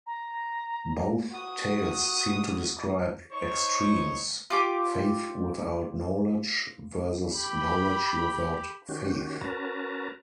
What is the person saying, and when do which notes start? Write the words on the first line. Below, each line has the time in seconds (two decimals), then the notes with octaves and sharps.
Both tales seem to describe extremes, faith without knowledge versus knowledge without faith.
0.07 A#5
1.32 F#4 D#6
3.31 D#4 C5 C#5 C#6
4.50 F4 G4 D6
7.35 G4 B5
8.89 D#3 C#4 F#4 G4
9.41 C#4 F#4 A#4 B4 A5 A#5